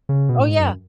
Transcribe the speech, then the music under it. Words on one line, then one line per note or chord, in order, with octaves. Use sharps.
Oh, yeah.
C#3
B2
A2
G#2
F#2